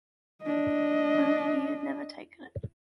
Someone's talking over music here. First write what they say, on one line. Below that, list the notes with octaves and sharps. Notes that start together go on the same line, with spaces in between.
Only he had never taken it.
D4 D#5